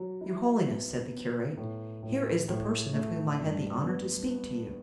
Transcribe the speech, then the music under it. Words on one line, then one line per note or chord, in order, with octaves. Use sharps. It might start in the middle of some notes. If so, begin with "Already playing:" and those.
"Your holiness," said the curate, "here is the person of whom I had the honor to speak to you."
Already playing: F#3
E4
B3
B3
A2
A2
A2
A3
G2
B3
B3